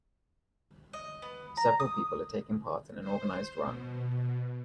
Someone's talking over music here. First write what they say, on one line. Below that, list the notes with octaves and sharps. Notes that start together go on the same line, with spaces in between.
Several people are taking part in an organized run.
D#5
B3
A#5
D#6
C5
B2